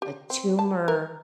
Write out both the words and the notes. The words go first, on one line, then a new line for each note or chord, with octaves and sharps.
a tumor
G4
C4
A5
A#4